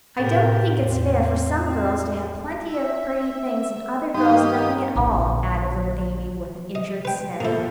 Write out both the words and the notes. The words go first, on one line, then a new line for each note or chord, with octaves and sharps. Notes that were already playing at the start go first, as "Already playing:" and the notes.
"I don't think it's fair for some girls to have plenty of pretty things, and other girls nothing at all," added little Amy, with an injured sniff.
A2 C3 G4 A#4 A6
E2 A3 C4
C4
E5
G2 D#3 A#3 D#4 G4 D#5 F5 D#6
A#1 D3
D#5
B4 G5
B2 F3 A#3 E4 A4